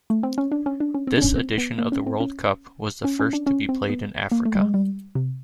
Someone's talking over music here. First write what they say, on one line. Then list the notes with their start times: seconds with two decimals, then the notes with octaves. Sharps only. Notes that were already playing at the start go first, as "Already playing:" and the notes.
This edition of the World Cup was the first to be played in Africa.
0.10 A3
0.23 C4
0.38 C#4
0.52 D4
0.66 C#4
0.80 D4
0.94 C#4
1.07 C4
1.17 D4
1.22 C#4
1.36 C4
1.58 B3
1.78 A#3
1.92 C#4
2.07 C4
2.20 C#4
3.05 C#4
3.20 C#4
3.33 D4
3.47 C#4
3.69 C4
3.89 B3
4.31 A#3
4.45 A3
4.55 G3
4.60 G#3
4.74 G3
5.15 C3